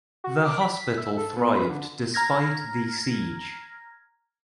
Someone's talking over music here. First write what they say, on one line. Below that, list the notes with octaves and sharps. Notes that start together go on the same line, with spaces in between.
The hospital thrived despite the siege.
F#4
D6
B6
E5
A4
B3
B4
D3
A#5 F6 G#6 A#6